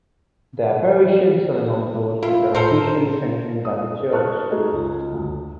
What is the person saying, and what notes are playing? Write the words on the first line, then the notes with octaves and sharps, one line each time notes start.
The apparitions are among those which are officially sanctioned by the Church.
E4 F4
A2 A4 A#4 C5
D#6
B4 C5 A5 C#6 F6 F#6
A3 D#4 F#4 G#4 D#5
C#2
D2